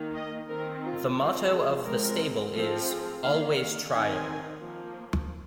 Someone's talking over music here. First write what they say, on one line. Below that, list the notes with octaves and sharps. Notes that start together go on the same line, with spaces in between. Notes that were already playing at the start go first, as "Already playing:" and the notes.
The motto of the stable is "Always Trying".
Already playing: D#3 A#3
D#5
D#3 C4 A#4
F4
F3 G#3 C4 F4
G#4
F3 G#3 C4 A#4
F3 C4
G#4
D#3 A#3 F5
F5
D#3 C4 G#5
F3 A#3